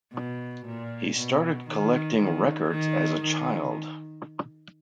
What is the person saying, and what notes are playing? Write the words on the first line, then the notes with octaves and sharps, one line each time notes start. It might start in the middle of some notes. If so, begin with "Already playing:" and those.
He started collecting records as a child.
B2
A#2
B2
D#3
D#3
D#3
D#3